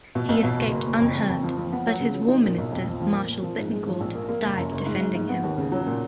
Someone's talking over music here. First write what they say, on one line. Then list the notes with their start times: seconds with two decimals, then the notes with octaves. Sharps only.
He escaped unhurt, but his war minister, Marshal Bittencourt, died defending him.
0.15 B2
0.29 B1
0.44 B2
0.58 F#1
0.72 F#1
0.86 F#1
1.01 F2
1.15 F2
1.29 F2
1.43 F3
1.58 F3
1.72 B3
1.86 F#3
2.00 C#3
2.14 F#3
2.28 D#4
2.43 A#2
2.58 B1
2.72 F2
2.86 F3
3.00 F3
3.14 A#2
3.29 A#2
3.43 F3
3.58 G#2
3.72 G#3
3.86 F3
4.00 A#1
4.15 A#3
4.29 A#3
4.44 F#1
4.57 F#2
4.72 F#1
4.86 G#2
5.00 G#2
5.15 G#2
5.29 B3
5.43 D#2
5.58 C#3
5.72 F#3
5.87 A#2